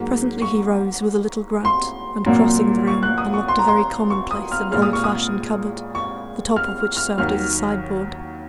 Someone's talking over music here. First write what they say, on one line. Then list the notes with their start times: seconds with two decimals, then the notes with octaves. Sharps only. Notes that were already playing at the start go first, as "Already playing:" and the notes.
Presently he rose with a little grunt, and, crossing the room, unlocked a very commonplace and old-fashioned cupboard, the top of which served as a sideboard.
Already playing: G#2 F#3 A#3
0.42 C#6
1.65 C6
2.26 C2 A#2 F#3 A#3
2.88 C#6
3.03 F#6
3.18 D#6
3.34 C#6
3.48 C6
3.59 A#5
3.68 C6
4.10 C#6
4.31 D#6
4.52 F6
4.71 A#2 G#3 F6
4.82 D#6
4.93 C#6
5.04 D#6
5.95 C#6
6.56 F6
6.97 F6
7.18 D#2 D#3 F#3 F6